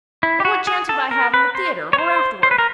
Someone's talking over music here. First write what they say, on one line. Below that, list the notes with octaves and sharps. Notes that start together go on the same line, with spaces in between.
And what chance would I have in the theatre or afterward?
E4
G4
F#4
G#4
A4
A#4
B4
C5
C#5
C5
C5
B4
A#4